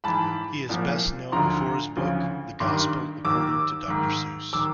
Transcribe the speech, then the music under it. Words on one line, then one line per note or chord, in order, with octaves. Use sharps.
He is best known for his book "The Gospel According to Doctor Seuss".
G#2 E3 A5 B5
C2 A#2 F3
D2 D3 F3 A#5 C6
D2 C#3 F3
G2 D#3 C6 D6
D#2 D#3 D6 E6
G#2 D#3
D#3 D6 E6